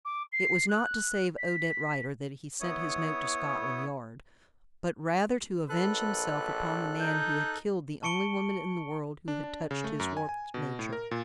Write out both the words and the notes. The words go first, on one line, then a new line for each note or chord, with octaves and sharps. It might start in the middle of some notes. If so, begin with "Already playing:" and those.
It was not to save Odette Rider that he sent his note to Scotland Yard, but rather to avenge himself upon the man who had killed the only woman in the world who had touched his warped nature.
D6
C7
F#6
B6
B3 E4 C#5 D#6
A#1 A4 B4 F#6
D#4 G6
A5 C#6 C#7 D7 G7
D4
D4
C#3
A3
F#2
G#5
G#5
B2
A2
A#4
A#2